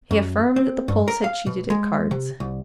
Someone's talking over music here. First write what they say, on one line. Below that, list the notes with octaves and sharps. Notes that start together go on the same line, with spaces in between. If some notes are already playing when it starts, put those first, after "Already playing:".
He affirmed that the Poles had cheated at cards.
F#2
C4
G2
A#4
F5
B2
G#3
C3
C2